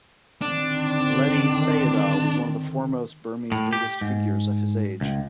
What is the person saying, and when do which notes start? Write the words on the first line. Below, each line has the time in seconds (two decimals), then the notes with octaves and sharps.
Ledi Sayadaw was one of the foremost Burmese Buddhist figures of his age.
0.42 D3 D#3 C4 D4
3.52 A2
3.73 G4
4.01 G#2
5.01 C#2